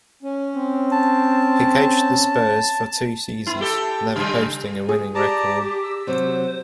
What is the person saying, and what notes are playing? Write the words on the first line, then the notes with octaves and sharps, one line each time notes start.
He coached the Spurs for two seasons, never posting a winning record.
C#4
C4
A5
B3 E4
G4 A4
C#3 G3
G#4
G4 D5 A5 A#5
E6
C3 F#3 C5